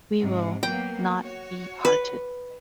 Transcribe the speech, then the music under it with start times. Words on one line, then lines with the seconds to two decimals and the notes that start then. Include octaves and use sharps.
We will not be parted.
0.19 G#2 C3
0.63 F#3 A#3 B3 G5
1.22 F#4 C#5
1.85 B4